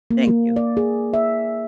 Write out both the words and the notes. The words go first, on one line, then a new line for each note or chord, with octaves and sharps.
Thank you.
A#3
A#3
D5
G#4
E5